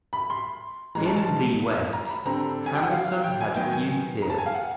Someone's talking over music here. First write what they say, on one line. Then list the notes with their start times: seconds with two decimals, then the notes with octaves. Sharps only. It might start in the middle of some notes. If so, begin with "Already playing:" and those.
In the wet, Hamilton had few peers.
0.13 B5
0.30 C6
0.95 E3 G#3 C#4 A#5
1.06 A5
1.16 A5
1.93 A#5
2.09 B5
2.25 D3 G3 C4 A#5
2.66 G#5
2.75 G5
2.83 F#5
2.91 F5
3.07 F5
3.24 G5
3.41 G#5
3.56 D#3 F#3 B3 G5
3.73 G#5
4.22 A#5
4.30 A5
4.38 G#5
4.46 F5
4.55 F#5